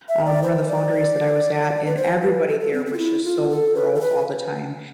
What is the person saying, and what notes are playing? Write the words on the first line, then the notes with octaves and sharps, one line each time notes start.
um- one of the foundries that I was at- and everybody there was just so broke all the time.
E5
D5
C5
D5
B4
C5
B4
A4
A4
C4
C4
F4
E4
F4
A4
B4
A4
B4